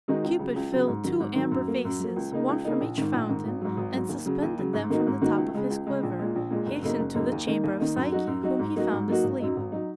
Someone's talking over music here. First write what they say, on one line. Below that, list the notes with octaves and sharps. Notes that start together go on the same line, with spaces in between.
Cupid filled two amber vases, one from each fountain, and suspending them from the top of his quiver, hastened to the chamber of Psyche, whom he found asleep.
D#3 G#3 D#4 F#4
C#2
C#3 F#3
C#2
C#3 F#3
G#2
D#3 F#3
G#2
D#3 F#3
F#2
F#3 A#3
F#2
F#3 A#3
C#2
C#3 A#3 D#4
C#2
C#3 A#3 D#4
A#1
G#2 D#3
A#1
G#2 D#3
G#1
G#2 F#3
G#1
G#2 F#3
D#2
C#3 F#3
D#2
C#3 F#3
G#2
D#3 A#3 D#4 F#4
G#2
D#3 A#3 D#4 F#4
C#2
C#3 G#3
C#2
C#3 G#3
A#1
A#2 G#3
A#1
A#2 G#3
F#1
F#2 C#3 A#3 D#4
F#1
F#2 C#3 A#3 D#4
D#2
D#3 A#3 D#4
D#2
D#3 A#3 D#4
F#2
F#3 D#4 F#4
F#2
F#3 D#4 F#4
G#2
F#3 A#3 D#4 F#4
G#2
F#3 A#3 D#4 F#4
G#1
F#2 F#3 D#4
G#1
F#3 D#4